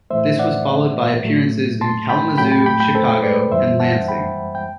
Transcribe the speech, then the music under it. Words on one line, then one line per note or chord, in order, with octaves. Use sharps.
This was followed by appearances in Kalamazoo, Chicago, and Lansing.
A2 E3 A3 C5 E5
D5 F#5
A2 F#3 A3
A5 C6
G5 B5
A2 F#3 A3 G5 B5
G5 B5
G5 B5
G5 B5
A4 C5
B4 D5
F#2 E3 G3 C5 E5
F#5 A5
G5 B5
G5